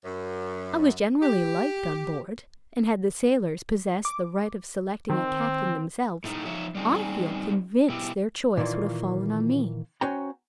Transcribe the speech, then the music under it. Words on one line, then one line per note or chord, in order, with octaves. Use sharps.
I was generally liked on board, and had the sailors possessed the right of selecting a captain themselves, I feel convinced their choice would have fallen on me.
F#2
G4
D6
D#3 C4
A2 A3 D#4
F3 D#4 C#5 E5
G3 G#3 C4 C#4 D#4
B2 E4 G4
A#2 D#3 E3 A#3 F4
C#4 F#4 C5 G5 G#5 A#5